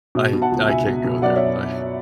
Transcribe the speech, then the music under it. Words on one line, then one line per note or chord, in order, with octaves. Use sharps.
I I can't go there. I
B2
B2
F#5 A5
C#2
B2 E5 G#5
B2
B2
F#2 D5 F#5
C#5 E5